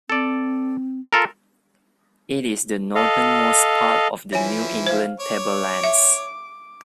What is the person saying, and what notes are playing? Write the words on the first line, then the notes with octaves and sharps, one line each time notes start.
It is the northernmost part of the New England Tablelands.
C4 A4 D5
F4 A4 A#4
A4 D#5 F5
E3 F3 E4 C#5 G#5
C5 F5
C#5 D6
E5